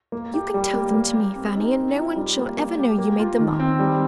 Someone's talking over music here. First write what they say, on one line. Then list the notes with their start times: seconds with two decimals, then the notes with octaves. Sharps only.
"You can tell them to me, Fanny, and no one shall ever know you made them up."
0.12 A#3
0.34 G4
0.54 G3
0.74 A#3
0.94 A#3
1.15 G4
1.35 C4
1.56 D#4
1.75 C4
1.96 F4
2.16 G3
2.37 A#3
2.57 A#3
2.78 G4
2.98 A#3
3.19 F4
3.39 D#3
3.60 C4
3.79 G3